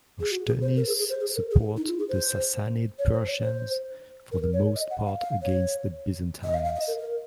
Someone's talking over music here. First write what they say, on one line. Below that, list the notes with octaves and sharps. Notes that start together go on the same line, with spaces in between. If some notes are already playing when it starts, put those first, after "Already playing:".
Rshtunis support the Sassanid Persians for the most part against the Byzantines.
G#4
F#4
G#4
C5
A#4
G#4
G#4
C5
G#4
A#4
G#4
D#4
F4
G#4
C5
C#5
C5
C#5
C5
A#4
C#5
D#5
F#5
F5
F5
C#5
D#5
F5
F5
D#5
A#4
A#4